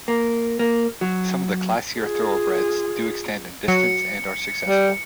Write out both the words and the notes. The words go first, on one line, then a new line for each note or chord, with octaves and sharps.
Some of the classier thoroughbreds do extend in distance and are successful.
A#3
A#3
F#3
F4 G#4
F#3 C#7
G3